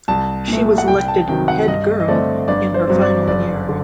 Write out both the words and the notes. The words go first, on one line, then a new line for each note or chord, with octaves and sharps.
She was elected Head Girl in her final year.
C2 A5
A#2 A3
F#5
C2 G5
A5
C3 D#3 F#3 G5
F#5
G2 D#5
D#5
D3 A3 C4 D5
G1 D5
C5
G2 F#3 C4
D5
F#1 D5
D3